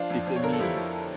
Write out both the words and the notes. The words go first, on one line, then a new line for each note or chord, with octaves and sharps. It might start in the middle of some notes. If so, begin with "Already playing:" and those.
It's immediate.
Already playing: F3 D4 F4
F2
F2
C#5
D3 A#4
A4
F3 E4 G4
F2